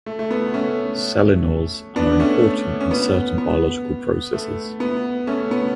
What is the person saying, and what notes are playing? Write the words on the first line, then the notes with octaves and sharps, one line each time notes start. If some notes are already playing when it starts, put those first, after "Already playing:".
Selenols are important in certain biological processes.
A3
A3
B3
A3 C#4
B3 D4
A3 C#4
C#4
B3
B3
A3
B3
A3 C#4
B3